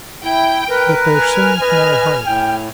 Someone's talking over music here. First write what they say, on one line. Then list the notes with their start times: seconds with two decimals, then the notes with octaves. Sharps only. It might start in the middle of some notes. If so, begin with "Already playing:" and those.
But there seemed no hope.
0.24 E4 G5
0.69 A#4 B4
1.08 G#5 F6
1.61 B4 D#5
2.26 A2 G5